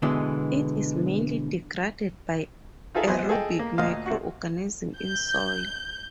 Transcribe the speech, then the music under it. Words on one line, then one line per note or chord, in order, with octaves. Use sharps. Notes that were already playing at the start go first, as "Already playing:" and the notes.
It is mainly degraded by aerobic microorganisms in soils.
B2 D3 E3 G#3
D#4 F4 G#4 A4 E5
A#1 B3 C5 D#5 G#5
G#4 A4 D#5 G5
A#3
D2 A#2 D#5 F5
C3 F#4
G6